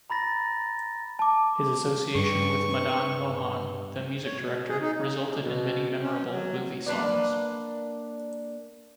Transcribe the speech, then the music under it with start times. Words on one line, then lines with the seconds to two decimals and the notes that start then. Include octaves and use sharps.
His association with Madan Mohan, the music director resulted in many memorable movie songs.
0.10 A#5 B5 A6 A#6
1.19 A5 D6
2.15 G2 C#6
4.25 C#5
4.40 B2
4.69 G#4
4.82 D#4
4.95 C#3
5.23 C3
5.40 B2
6.01 C#4
6.30 F#3
6.86 A#3 D4 B4 D5